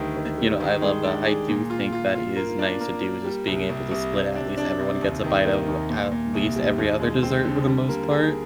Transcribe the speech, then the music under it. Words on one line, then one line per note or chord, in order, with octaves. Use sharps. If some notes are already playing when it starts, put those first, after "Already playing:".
You know, I love that, I do think that is nice to do, just being able to split at least everyone gets a bite of at least every other dessert for the most part.
Already playing: D2 D#3 G3
D#3
G3
D#3
G#3
D4
G#4
A#2
F4
F4
F4
A#3
D4
A#3
A#3
G3
C2
C2
C2
C3
D4
D4
C3
D#2
D#3
A#3
D#2
A#2
A#2
C2
G3
D#2
G#3
C4
D3
G3
A#3
G#4